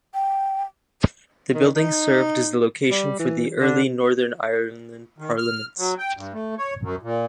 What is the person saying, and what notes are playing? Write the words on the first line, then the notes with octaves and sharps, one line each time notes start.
The building served as the location for the early Northern Ireland Parliaments.
G5
D#3
D#4
G3
E3
D3
D#3
F6
F#3
G5
G2
A3
C#5
F#2
A#2